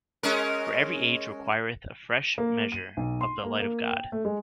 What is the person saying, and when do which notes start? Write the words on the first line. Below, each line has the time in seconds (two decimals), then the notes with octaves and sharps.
For every age requireth a fresh measure of the light of God.
0.23 G#3 C#4 A#4
2.38 A#3
2.72 D#7
2.97 B1
3.21 C6
3.43 A#3
3.60 A#3
3.91 G5
4.12 A3
4.25 G#3